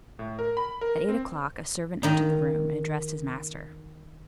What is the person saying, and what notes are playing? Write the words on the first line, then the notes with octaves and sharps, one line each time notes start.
At eight o'clock a servant entered the room and addressed his master.
A2
A#4
B5
A#4
C4
D#3 D#4